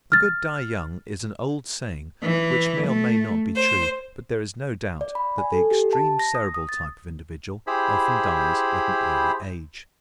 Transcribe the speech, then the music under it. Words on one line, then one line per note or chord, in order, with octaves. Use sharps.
"The good die young" is an old saying which may or may not be true. But there is no doubt that the extreme Cerebral type of individual often dies at an early age.
F6 A6
E3
A3
C5
D5
B5
G#5
A4
G4
A5
A#6
D#6
D#6
A6
E4 G4 G#4 C5 B5